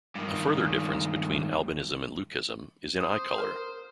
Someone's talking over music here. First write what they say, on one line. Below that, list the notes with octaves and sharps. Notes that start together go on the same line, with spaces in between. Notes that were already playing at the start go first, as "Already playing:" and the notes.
A further difference between albinism and leucism is in eye colour.
G2 D#3
C5 D#6
A#4